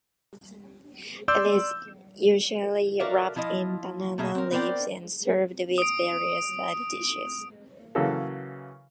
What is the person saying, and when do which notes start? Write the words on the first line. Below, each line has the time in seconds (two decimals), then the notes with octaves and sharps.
It is usually wrapped in banana leaves and served with various side dishes.
1.28 D5 C6 D6 E6 G6
3.00 F#4 A4 A#4 D5 E5 F5
3.36 F3 E4 F4 D#5
4.18 B2 A3 A#3 G#4 E5
4.35 C4 A#4
4.51 B3 C4 A#4 C5 D5 G5
5.78 D#6 D7
7.95 C#3 E3 F#3 A#3 F#4 A4